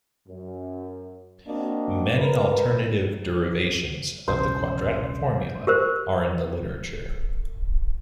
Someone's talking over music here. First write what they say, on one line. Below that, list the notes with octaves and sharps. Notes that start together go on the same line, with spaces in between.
Many alternative derivations of the quadratic formula are in the literature.
F#2
A#3 C4 D4 F#4 D#5
A#4 B4
E1 C2 C#3 C5
G4 A#4 C5